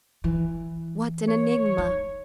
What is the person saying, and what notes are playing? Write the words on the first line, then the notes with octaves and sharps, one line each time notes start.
What an enigma!
E3
C#5
D#4